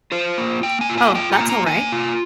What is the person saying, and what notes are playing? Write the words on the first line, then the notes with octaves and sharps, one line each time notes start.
Oh, that's all right.
F4 C5
A#3
A#3 G5
G#5
F4
G#5
F4 G5
A#5
A#3
A#5
A#3 G#5
F4